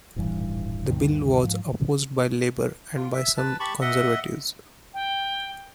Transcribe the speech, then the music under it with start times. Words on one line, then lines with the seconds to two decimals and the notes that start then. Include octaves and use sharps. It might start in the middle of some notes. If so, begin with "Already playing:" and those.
The bill was opposed by Labour and by some Conservatives.
0.16 D#1 A1 G2 E3
0.88 D2 G2 D3 D#3
1.43 G#2 F3
2.96 F4
3.14 E5
3.37 B4 A5
3.60 G4 A5 B5 C#6
3.81 D#5 E5 F#5
4.94 G5